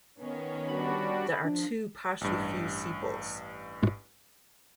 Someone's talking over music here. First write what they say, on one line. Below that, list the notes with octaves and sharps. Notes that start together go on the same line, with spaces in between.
There are two partially fused sepals.
D#3 B3 C#4
G3 D4 F#4 B5
F3 D4
A1 G2